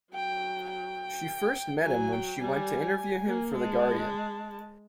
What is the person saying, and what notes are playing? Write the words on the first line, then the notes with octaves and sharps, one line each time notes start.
She first met him when she went to interview him for "The Guardian".
F#3 G5
G5
F#3 G#5
G5
G3 G#5
A#3
G#3 A5